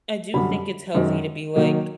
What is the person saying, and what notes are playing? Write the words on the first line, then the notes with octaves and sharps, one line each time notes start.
I do think it's healthy to be like,
F#2 D3 G3 B5
F#2 D#3 G#3
D#3 F#3 A#3